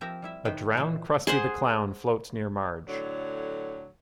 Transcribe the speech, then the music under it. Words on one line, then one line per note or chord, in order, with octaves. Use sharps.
A drowned Krusty the Clown floats near Marge.
F3 C4 G4 A#4 E5 A#5
G3 E4 E5
A2 D#3 B4 C5 G5
A#2 E3 B4 C5 E5
G#4 C5 F#5
A2 D3 F#3